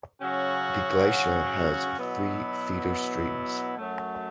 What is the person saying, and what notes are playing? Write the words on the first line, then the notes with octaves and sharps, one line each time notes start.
The glacier has three feeder streams.
C#3 F#3 C#4 F#4
B2 F#3 B3 E4
F#2 F#3 A3